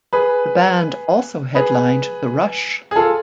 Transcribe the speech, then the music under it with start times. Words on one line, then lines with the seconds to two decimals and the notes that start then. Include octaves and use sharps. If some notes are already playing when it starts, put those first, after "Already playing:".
The band also headlined The Rush!
0.13 G#4 B4
1.55 G#4 B4
2.91 G#4
2.96 F4 A4